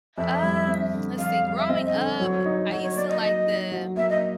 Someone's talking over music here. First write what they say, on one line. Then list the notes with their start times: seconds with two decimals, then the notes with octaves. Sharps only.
Uh, let's see growing up, I used to like the
0.18 F2 E5
0.43 G3
0.68 C4
0.93 D3
1.18 F2 F5
1.44 G3
1.58 E5
1.69 C4 D#5
1.86 D#5
1.94 D3
2.20 F#3 C#5
2.45 D#4
2.70 F#3 C#5
2.83 C#5
2.96 A#3 D5
3.09 D#5
3.21 F#3 D#5
3.46 D#4
3.72 F#3
3.97 A#3 E5
4.10 D#5